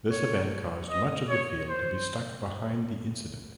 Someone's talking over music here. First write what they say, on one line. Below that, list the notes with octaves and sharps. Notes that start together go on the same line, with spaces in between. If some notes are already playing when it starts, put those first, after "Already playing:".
This event caused much of the field to be stuck behind the incident.
C#5
D#5
C#5
C5